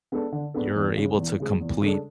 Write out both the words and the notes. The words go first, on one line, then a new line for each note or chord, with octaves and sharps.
you're able to complete,
G#3 B3 D4 A4
D3
G#3 B3 D4 A4
E2
C#3 G#3
E2
C#3 G#3
E2
C#3 G#3 D4 A4